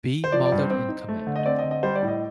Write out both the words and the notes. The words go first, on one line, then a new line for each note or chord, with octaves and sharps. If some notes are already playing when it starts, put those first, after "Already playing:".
B. Mallard in command.
C5
F3 D5
D5
G2
C5
C4
D#4
A3
D3
D#5
C4 D5
D#5
D3
D#5
G3 C5
D5
A2
D#5